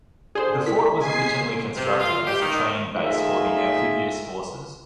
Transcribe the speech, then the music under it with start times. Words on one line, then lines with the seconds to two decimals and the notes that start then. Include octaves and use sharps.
The fort was originally constructed as the training base for the amphibious forces.
0.35 D3 G#4 C5
0.66 E4 A#4 B6
0.99 G#3 G#5 C7
1.76 C3
1.99 F4
2.26 G4
2.41 D#3
2.96 A3 D#4 F4 G#4 E5